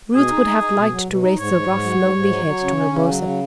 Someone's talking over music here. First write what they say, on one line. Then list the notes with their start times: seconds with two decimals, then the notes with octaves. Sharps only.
Ruth would have liked to raise the rough, lonely head to her bosom.
0.15 B2 G#4
0.30 D#4
0.45 D#4
0.60 D#4
0.76 B2
0.92 F#3
1.08 B2
1.22 D#4
1.37 G#2 C#5
1.53 G#2
1.68 G#2
1.84 F#3
1.99 G#2
2.15 G#2
2.30 F#3
2.46 F#3
2.61 C#3
2.77 C#4
2.92 C#3
3.07 F#3
3.22 C#3